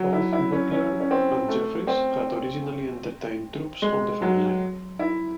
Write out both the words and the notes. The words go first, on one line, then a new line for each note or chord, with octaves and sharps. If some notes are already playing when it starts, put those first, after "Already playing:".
Both Butler and Jeffries had originally entertained troops on the frontline.
Already playing: F#3
E4
E4
C#4
C#4
C#4
C4
A3
C4
G#3
F#3
E4